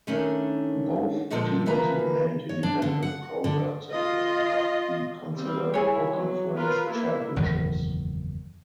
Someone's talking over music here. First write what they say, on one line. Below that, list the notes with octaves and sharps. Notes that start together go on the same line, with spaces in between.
Both teams remained independent programs and will not be considered for conference championships.
D#3 A3 C#4 D4
A#2 D3 F3 G#3 A4 C5
D2 E3 F3 A#3 B4 A#5
C#5
D4
D3
F#5
D3
F4 D#5
G3 C4
E4 G#4 C#5
F#3
F4 A#4 B4
A#3 E4
F#1 E2 A2 D#3